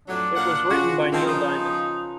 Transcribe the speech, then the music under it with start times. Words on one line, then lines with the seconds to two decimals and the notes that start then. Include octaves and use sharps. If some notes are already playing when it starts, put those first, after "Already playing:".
It was written by Neil Diamond.
0.08 F2 A2 F#3 D4
0.36 A#2 F5 F#5
0.69 C#3 F4 F#4
1.12 D#3 A#3 C4 A#4 A5 A#5
1.26 F3 D#4 B4